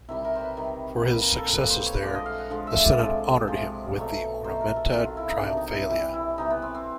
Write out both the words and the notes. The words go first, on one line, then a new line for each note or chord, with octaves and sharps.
For his successes there, the senate honoured him with the ornamenta triumphalia.
C3 D#3 G3 E4
A#4
C5
B4
C3 D#3 G3
A#2 G3 B4
A#4
A4
A#2 G3 B4
C5
C#5
D3 F3 G#3 D5
D#5
F5
F#5
D3 F3 G#3 F5
E5
D5
C3 F3 G#3
C3 F3 G#3
B2 F#3 A3 C#5
B2 F#3 A3 C5
A#4
A4
C3 D#3 F#3
F4
E4
D#4
C3 D#3 F#3 D4
D#4
E4
C3 E3 G3 E4
E4
C3 E3 G3 D#4
B3
C4
C4